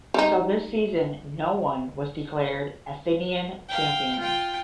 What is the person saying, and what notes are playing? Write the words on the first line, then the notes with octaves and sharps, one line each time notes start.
So this season no one was declared Athenian champion.
G3 D#4
F5 G5
F4 G5